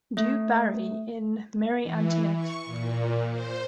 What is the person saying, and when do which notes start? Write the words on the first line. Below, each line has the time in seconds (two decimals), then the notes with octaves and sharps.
Du Barry in "Marie Antoinette".
0.17 A3
1.83 E3
2.36 C#6
2.65 A#2
3.30 C5